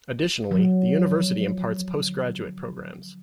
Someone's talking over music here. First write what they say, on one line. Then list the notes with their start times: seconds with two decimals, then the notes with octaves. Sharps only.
Additionally, the university imparts postgraduate programmes.
0.51 F#3
1.11 F3
2.01 D3